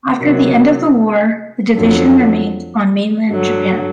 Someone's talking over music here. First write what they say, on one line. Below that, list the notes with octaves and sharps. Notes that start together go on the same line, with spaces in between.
After the end of the war, the division remained on mainland Japan.
C3 D#3 F#3
F2 D3 F#3
G2 D3 F#3